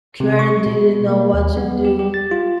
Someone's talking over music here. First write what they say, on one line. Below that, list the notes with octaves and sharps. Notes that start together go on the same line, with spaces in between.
Kieran didn’t know what to do.
C3
C#6
B2
A#3
D#2
B3
G4
G4
A6
F4